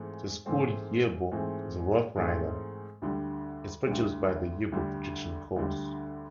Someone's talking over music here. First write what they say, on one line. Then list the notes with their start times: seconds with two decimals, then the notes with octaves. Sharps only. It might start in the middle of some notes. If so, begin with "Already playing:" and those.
The school yearbook, the "Rough Rider", is produced by the yearbook production course.
Already playing: G#2 E3 A3 C4
0.46 G#2 E3 A3 C4
1.32 G#2 E3 A3 C4
2.16 G#2 E3 A3 C4
3.02 D2 D3 G3
3.87 D2 D3 G3
4.72 D2 D3 G3
5.56 D2 D3 G3